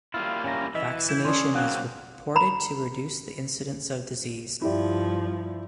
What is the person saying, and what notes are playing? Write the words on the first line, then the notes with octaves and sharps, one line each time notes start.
Vaccination is reported to reduce the incidence of disease.
G3 A#3 E4 F4
C#4 F4 A#5
E3 D#5 E5
E4 G6 G#6 E7
C#4 D4 G#4 D5 C6
F#3 A#3 C4 F5 F#5 F#6
A#5 B5
G2 F3 E4 G4 D5